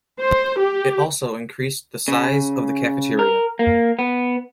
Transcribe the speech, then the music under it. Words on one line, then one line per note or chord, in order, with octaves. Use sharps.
It also increased the size of the cafeteria.
C5
G4
C#3
A#4
A#3
B3